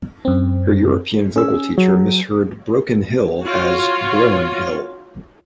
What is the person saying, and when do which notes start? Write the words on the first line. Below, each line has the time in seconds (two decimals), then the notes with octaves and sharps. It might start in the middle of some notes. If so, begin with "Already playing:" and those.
Her European vocal teacher misheard "Broken Hill" as "Bro-n-hill".
0.25 F#2 C4
1.36 C#4 G#4 E6
1.78 F#3
3.42 F4 F#4 C#5